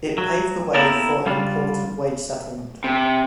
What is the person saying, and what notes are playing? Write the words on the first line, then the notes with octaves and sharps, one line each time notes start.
It paved the way for an important wage settlement.
F#3
A#3 B3 E4 G4 A4 A#4
C#3 G3 D4 F4
C3